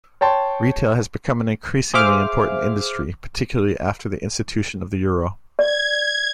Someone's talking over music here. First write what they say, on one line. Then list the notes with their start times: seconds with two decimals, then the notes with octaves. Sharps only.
Retail has become an increasingly important industry, particularly after the institution of the euro.
0.21 C#5 G5 A5 C6
1.94 G#4 C5 E5 F5 D6 F6
5.59 D5 G#6